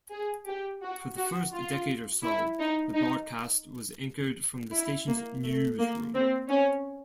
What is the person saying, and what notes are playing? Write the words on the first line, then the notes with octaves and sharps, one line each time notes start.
For the first decade or so, the broadcast was anchored from the station's newsroom.
G#4
G4
F#4
F#4
F4
E4
D#4
D#4
E4
A#3
A3
A#3
C4
C#4